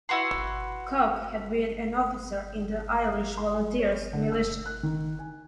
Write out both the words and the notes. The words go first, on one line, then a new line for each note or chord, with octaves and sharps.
Cooke had been an officer in the Irish Volunteers militia.
E4 F#4 B4 C6
E5
C6
G#5
C#5
D3
E6
F#6
D#3
G#5